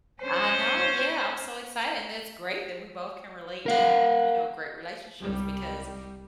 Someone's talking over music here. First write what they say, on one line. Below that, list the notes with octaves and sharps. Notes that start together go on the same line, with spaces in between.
I know, yeah, I'm so excited, and that's great that we both can relate to having, you know, great relationships because
C#4 C5
A#4 F5 F#5
C2 G3